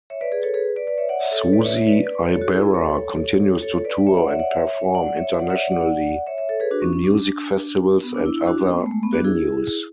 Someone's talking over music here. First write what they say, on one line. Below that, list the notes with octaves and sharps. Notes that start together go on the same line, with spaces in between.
Susie Ibarra continues to tour and perform internationally in music festivals and other venues.
C#5 E5
B4 D5
G#4 B4
A4 C#5
G#4 B4
B4 D5
B4 D5
C#5 E5
D5 F#5
C#5 E5
A4 C#5
A4 C#5
B4 D5
C#5 E5
C#5 E5
B4 D5
A4 C#5
F#4 A4
E4 G#4
A4 C#5
A4 C#5
B4 D5
C#5 E5
D5 F#5
C#5 E5
D5 F#5
C#5 E5
C#5 E5
D5 F#5
C#5 E5
D5 F#5
C#5 E5
D5 F#5
D5 F#5
C#5 E5
C#5 E5
A4 C#5
G#4 B4
D4 F#4
C#4
C#4
D4
B3
D4
E4
E4
D4 F#4
C#4
B3
A3
G#3
A3
B3
D4 F#4
E4 G#4